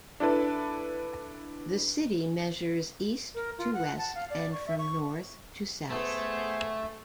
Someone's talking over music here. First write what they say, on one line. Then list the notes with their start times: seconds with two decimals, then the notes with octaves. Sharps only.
The city measures east to west and from north to south.
0.20 D4 E4 A4 B4
3.35 A#4
3.58 F4
3.73 F#5
3.98 A5
4.15 F5
4.30 D5
4.52 C#6
4.67 E5
4.78 C#6
5.90 A3 B3 G#4 C5